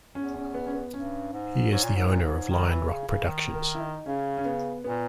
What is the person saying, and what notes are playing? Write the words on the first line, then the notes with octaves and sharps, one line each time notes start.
He is the owner of Lion Rock Productions.
E2 C#4
C#4
B3
C#4
B3
G2 C#4
G#2
G#2 C#5
A#2
G#2
A#2
G#2
D#3
E3
C#3
C#3
D#3
A#4
E4
D#4
C#3 C#4
C#4
B3
A#2 B3